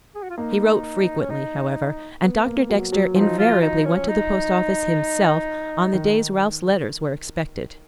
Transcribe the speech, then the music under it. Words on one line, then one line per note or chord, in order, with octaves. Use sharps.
He wrote frequently, however, and Doctor Dexter invariably went to the post-office himself on the days Ralph's letters were expected.
G#4
F#4
F4
A#3 D#4
C#4
D#4
B3
A#3
F#3
F#3
F3 D#4
F4
D#4
C#4
D#4
D#3